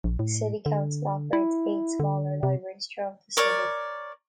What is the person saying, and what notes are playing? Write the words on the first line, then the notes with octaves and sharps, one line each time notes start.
The city council operates eight smaller libraries throughout the city.
A#1
A2
D3
E4
D3
C3
A#4 C#5 D5 D6